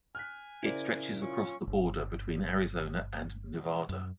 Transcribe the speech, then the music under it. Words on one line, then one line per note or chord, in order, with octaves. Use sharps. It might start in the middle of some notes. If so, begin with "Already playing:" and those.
It stretches across the border between Arizona and Nevada.
G#5 F6 F#6 B6
C#3 E4 A#4 C5 D5
C#4 F4 C#6
G1
F#2